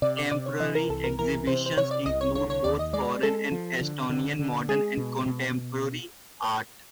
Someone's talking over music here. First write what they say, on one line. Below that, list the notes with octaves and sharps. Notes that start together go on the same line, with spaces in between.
Temporary exhibitions include both foreign and Estonian modern and contemporary art.
C3 D5
D5
C3 D5
C#5
E3 D#5
A#4
C2 A4
A#4
E3 A#4
C3 C5
C5
C3 C#5
D5
C2 D#5
C#5
D3 C#5
C#5
D#2 D5
D#5
G#3 D5
G#3 A4
F3
D3
D3
D3
G#3 G#4
B2
B2